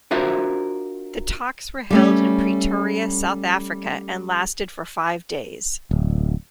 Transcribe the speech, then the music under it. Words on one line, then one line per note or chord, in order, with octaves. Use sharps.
The talks were held in Pretoria, South Africa and lasted for five days.
D4 F4 F#4 A#4 C5 E5
G3 A3 C#4
D1